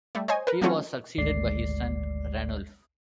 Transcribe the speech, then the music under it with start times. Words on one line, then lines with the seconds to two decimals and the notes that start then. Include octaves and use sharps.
He was succeeded by his son, Ranulf.
0.15 G3 A3
0.28 C5 C#5 D#5 G#5
0.47 A#4 B4
0.62 F#3 A3 C4 C#4 F4 F#4
1.18 G#1 D2 G#3 D5 C7